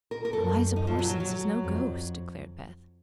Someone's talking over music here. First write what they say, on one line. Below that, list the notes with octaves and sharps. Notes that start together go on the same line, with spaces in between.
"Eliza Parsons is no ghost," declared Beth.
A#4
A#4
F#2 A4
D#4
F3
F#3
F#3
F#3
F2